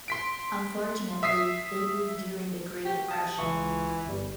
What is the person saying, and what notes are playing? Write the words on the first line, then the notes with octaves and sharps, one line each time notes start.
Unfortunately, they move during the Great Depression.
C6 B6 D7
E5 D#6 B6 C7
F#4 G4
A5 D#6
C#2 E3 F4 C#6
G1 G3